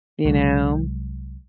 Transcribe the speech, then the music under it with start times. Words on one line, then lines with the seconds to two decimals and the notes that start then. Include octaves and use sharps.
you know,
0.25 C2 F#3 G#3